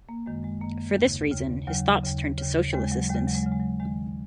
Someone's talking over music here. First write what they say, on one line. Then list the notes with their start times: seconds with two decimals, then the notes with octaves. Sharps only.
For this reason, his thoughts turned to social assistance.
0.09 A#3
0.26 F#2 D#3 G#3
0.44 G#3
0.61 F#2 D#3 A#3
0.97 D#2 C#3
1.32 D#2 C#3
1.67 D#2 C#3 F#3
2.03 D#2 C#3
2.38 D#2 C#3
2.73 D#2 C#3 G#3
2.92 F#3
3.09 D#2 C#3 G#3
3.27 F#3
3.35 G#3
3.43 D#2 C#3 F#3
3.52 G#3
3.60 F#3
3.80 D#2 D#3 G#3